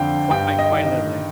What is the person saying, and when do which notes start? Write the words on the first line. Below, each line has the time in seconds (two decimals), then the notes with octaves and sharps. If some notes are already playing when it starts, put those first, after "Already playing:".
Quite quite literally.
Already playing: F2 D3 F5 G5
0.31 G2 G5
0.58 D#5
0.72 D#3
0.86 D#5